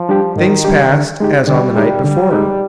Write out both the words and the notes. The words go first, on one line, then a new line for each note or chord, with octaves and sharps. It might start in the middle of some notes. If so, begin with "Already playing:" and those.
Things passed as on the night before.
Already playing: F3
G3 D4 G4
G#2 D#3
G3 D4 G4
D3
G#3 D#4 G4
D3 G3
G#3 D#4 G4
D3 G3
G#3 D#4 G4